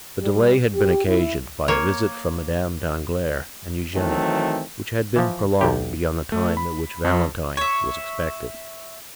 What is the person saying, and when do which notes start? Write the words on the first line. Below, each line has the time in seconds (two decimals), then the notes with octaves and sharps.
The delay had been occasioned by a visit from Madame Danglars and Eugenie, which had been prolonged beyond the time at which Valentine was expected.
0.22 G3
0.74 G4
1.07 E4
1.68 A#3 C#5
3.94 D#3 E3 F#3 A3 C4
5.16 E3 F3
5.61 B1 G4
6.32 A3
6.57 B5
7.05 F2
7.57 C#5 E5